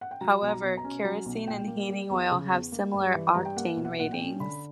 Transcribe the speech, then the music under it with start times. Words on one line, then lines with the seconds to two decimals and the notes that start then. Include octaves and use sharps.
However, kerosene and heating oil have similar octane ratings.
0.01 F#5
0.11 G5
0.21 F#3 A#5
0.42 B1
0.49 A#5
0.62 B2
0.77 A#5
0.84 C#4
1.05 F#3 A#5
1.26 B1
1.47 A#2 G5
1.67 A#3
1.89 G3
2.10 E2
2.31 C#3
2.51 E2
2.72 A#3
2.94 G2
3.15 E3
3.35 G2 A#5
3.45 G5
3.56 A#3 F#5
3.77 B1
3.85 F#5
3.92 E5
3.99 A#2 F#5
4.13 G5
4.19 C#4
4.40 D3 B5